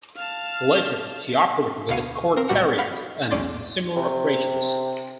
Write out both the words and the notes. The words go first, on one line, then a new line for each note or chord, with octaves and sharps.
Later, she operated with escort carriers and in similar operations.
F5 A5
D2 B2 F5 C#7 D#7
C4 A#4 C7
C#2 A#2 G3 F#4 F#5 C#7
F5 F#5 B5 F6
B1 E2 C#4 D5 C6 A6
C3